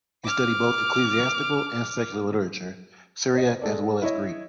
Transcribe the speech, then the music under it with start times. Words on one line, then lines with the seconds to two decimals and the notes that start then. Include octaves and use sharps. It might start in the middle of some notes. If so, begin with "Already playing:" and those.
He studied both ecclesiastical and secular literature, Syriac as well as Greek.
0.25 D6 F6
3.34 C5 D#5
3.62 G#3 A4 D5
4.02 E4 C#5 D#5